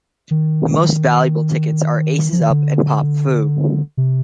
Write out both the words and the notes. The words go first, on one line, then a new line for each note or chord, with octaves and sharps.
The most valuable tickets are Aces Up and Pop Fu.
D#3
F3
D#3
D3
C3